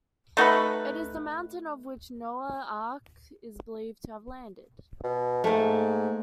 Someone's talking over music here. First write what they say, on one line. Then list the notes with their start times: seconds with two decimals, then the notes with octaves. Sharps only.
It is the mountain on which Noah's Ark is believed to have landed.
0.37 A3 D#4 F#4 B4
5.04 B2
5.44 G#2 A3 A#3